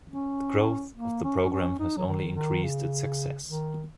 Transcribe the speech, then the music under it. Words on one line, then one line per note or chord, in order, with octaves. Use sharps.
The growth of the program has only increased its success.
C#4
A#3
C#4
C#4
D#4
F#3
D#3
D#3
C#3
D#3